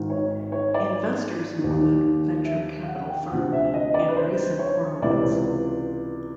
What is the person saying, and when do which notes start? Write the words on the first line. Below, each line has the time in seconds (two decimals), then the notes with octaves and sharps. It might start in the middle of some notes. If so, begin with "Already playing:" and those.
Investors include venture capital firm Andreessen Horowitz.
Already playing: G#1 G#2 D#3
0.10 C#5
0.52 C#5
0.74 D5
1.59 D#2 D#3
2.45 E5
2.83 F5
2.88 F#5
3.09 G5
3.31 D2 C3 F3 F#5
3.53 E5
3.74 D#5
3.94 D5
4.09 B4
4.16 C5
4.59 C#5
5.02 C#2 C3 E3 D5